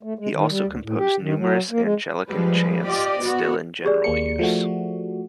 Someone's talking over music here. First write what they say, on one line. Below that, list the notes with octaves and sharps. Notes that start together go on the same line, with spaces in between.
He also composed numerous Anglican chants still in general use.
A3
G#3
D#3
G3
D2
A2
G4
D#3
F#3
A#3
G#3
F3 G3 G#3 B4
F4 G4 C5 D5 D#5
B3 F#4
G4 G#4 D5
D#2 A#3 C#7
F3 A3 F#4